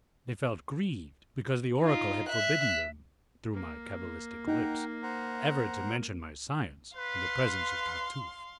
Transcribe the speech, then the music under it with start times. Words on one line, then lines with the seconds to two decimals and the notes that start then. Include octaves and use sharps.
They felt grieved because the oracle had forbidden them, through my cabalistic lips, ever to mention my science in the presence of Tartufe.
1.81 D#4 F4
2.29 E5 F#6
3.53 A#3
4.48 D#4 F#5 G5 A#5
5.03 C5 F#5 A#5
6.97 B4 F5 C6